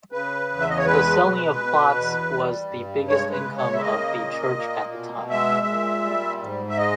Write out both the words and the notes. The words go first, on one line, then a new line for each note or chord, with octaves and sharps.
The selling of plots was the biggest income of the church at the time.
C#3 B4
E2
E5
D#5
C#5
G#3 B4
B2
B2
E2
G3
G2
G#3 C#5
B4
C#3
C#5
E5
A#3 D#5
A#2
A#3
B2
G#3 E5
A#2
G3
G#2
E5
G#3 D#5